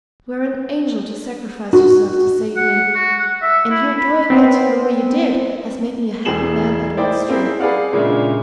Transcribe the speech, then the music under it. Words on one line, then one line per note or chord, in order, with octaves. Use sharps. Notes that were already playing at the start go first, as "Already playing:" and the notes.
You were an angel to sacrifice yourself to save me, and your doing it the way you did has made me a happy man at one stroke.
F#4
F#5
F#4
F#5
E5
E4
B5
B3 C4
E1 E3 A3 G#4 E7 F#7
A#3 D#4 E4 C5 D5 G5
A#3 C4 E4 G#4
G#4 B4 D5 F5 F#5
A#2 C#3 G#3 D4 E5